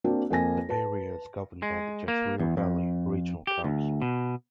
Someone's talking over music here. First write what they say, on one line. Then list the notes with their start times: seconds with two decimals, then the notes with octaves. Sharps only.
The area is governed by the Jezreel Valley Regional Council.
0.04 A#3 C4 D4 F#4
0.30 F2 A#3 G#5 A#6
0.69 B4 A5
1.62 G#3
2.08 A#3
2.40 E2
2.57 F2
3.47 G4
3.64 D2
4.02 B2